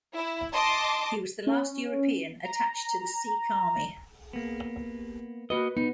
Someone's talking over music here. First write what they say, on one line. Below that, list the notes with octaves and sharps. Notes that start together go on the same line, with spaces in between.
He was the last European attached to the Sikh army.
E4
D#5 A5 C6 D6
C#4
A#5
A#3 B3
A#3 F#4 B4 D#5
B3 D#4